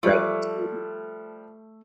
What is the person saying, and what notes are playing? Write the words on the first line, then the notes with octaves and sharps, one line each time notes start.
right, tea
F3 G3 A3 D6 F#6